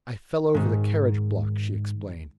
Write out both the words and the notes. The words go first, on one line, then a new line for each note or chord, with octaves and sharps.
"I fell over the carriage block," she explained.
G#2 D#3